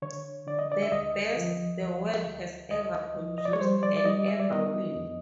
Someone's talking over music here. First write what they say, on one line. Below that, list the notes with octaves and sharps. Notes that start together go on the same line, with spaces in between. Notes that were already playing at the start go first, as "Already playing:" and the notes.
The best the world has ever produced and ever will!
D3 C#5
D3 D5
D#5
D5
E5
D2 D#5
F3
D2
D2
D2 D#5
F3
D#5
D5
C#5
G3 C5
D5
D5
G3 D#5
E5
D5
B3 D#5
F2